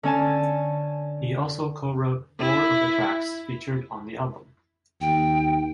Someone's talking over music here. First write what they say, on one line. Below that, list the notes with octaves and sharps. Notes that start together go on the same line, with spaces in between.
He also co-wrote four of the tracks featured on the album.
D3 C#4 G#5 A5
E4
D#2 G5